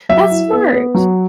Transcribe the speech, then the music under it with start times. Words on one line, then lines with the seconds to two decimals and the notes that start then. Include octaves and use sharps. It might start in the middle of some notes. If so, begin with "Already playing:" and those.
That's smart.
0.09 F#3 E5
0.31 E4
0.52 B3
0.72 B3
0.94 F#3